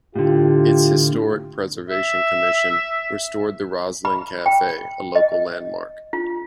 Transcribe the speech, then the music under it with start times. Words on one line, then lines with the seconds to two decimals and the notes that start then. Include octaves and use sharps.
Its Historic Preservation Commission restored the Roslyn Cafe, a local landmark.
0.16 A2 D3 F4 G4
1.90 E5
4.05 B5
4.46 G5
5.15 D#5
6.13 F4